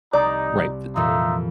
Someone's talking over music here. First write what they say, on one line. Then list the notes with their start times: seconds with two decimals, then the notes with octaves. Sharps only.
Right th
0.13 C2 D#4 D5
0.96 F2 A#2 E3 D#4 F4 E5